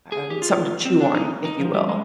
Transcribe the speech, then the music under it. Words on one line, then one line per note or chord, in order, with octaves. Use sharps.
um, something to chew on, if you will.
G#4
G4
F4
C4
D4
D#4
D#4
F3
G3
G#3